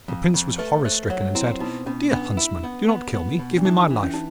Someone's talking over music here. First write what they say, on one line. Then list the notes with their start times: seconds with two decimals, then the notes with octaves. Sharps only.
The Prince was horror-stricken, and said, 'Dear Huntsman, do not kill me, give me my life.
0.08 F2
0.34 F2
0.58 A3 B4
0.85 A3 C5
1.10 F#3
1.35 C4 E4
1.60 B2 D#4
1.86 B2 C#4
2.11 B3 D4
2.37 E4
2.63 B3
2.89 B3
3.14 B3
3.39 B2
3.58 D4
3.65 E3 D#4
3.84 D4
3.90 E3
4.03 C#4
4.14 D#4